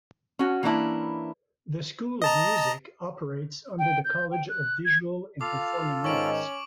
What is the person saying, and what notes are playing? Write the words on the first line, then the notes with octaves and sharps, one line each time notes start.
The School of Music operates under the College of Visual and Performing Arts.
C#4 F#4
E3 A#3 C#4 D4 E4
D#5 A5 A#5
G5
G6
G5
F#6
G#6
F4 A4 F5 D6
G#2 D#3 C#4 D#4 C#6 D7 F#7